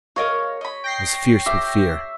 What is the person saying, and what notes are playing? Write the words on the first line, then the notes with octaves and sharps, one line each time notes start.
I was fierce with fear.
A#4 C#5 D#5 F5
D#5 B5
G5 A#6 C7
E5 D6